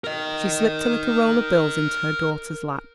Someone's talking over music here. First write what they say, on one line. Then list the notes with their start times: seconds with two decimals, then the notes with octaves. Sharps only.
She slipped a little roll of bills into her daughter's lap.
0.04 A#4 D#5